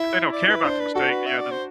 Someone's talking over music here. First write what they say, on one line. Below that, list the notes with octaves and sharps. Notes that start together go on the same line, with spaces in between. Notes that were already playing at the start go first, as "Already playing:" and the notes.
If they don't care about the mistake, yeah, then,
Already playing: E4 E5
D5
E4 B4
D4 C5
B4
F#4 A4
B4
E5
D5
C5